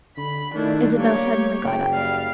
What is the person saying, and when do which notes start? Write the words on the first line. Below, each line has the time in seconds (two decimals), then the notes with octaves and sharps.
Isabel suddenly got up.
0.17 D3 B5
0.54 D#3 A3 D4 E4
0.96 G3 A#3 G4 C#5
1.63 F#1 G5
1.93 G3 F5